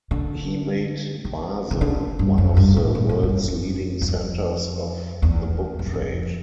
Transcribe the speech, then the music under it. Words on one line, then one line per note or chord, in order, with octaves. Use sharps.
He made Basel one of the world's leading centres of the book trade.
D3
D#3
D#3
D3
G2
F#2
G2
A2
A#2
G#2
G2
F#2
F#2
F2
E2
F2
E2
F2